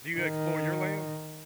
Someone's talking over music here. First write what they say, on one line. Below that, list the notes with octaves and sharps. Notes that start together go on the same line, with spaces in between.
Do you explore your land?
D#3